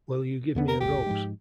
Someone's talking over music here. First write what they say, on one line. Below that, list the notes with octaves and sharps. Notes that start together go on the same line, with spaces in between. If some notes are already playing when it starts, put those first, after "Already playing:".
Will you give me a rose?
E2 D3 B3
A#4
D1 G1 D2 G4
G#2 F3 G#3